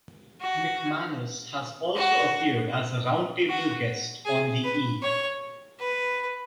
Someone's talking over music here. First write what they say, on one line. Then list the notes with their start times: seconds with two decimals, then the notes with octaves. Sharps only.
McManus has also appeared as a 'Round table' guest on the E!
0.41 F#4
1.95 F#4
3.49 F#4
4.25 G#4
4.63 B4
5.02 C#5
5.79 B4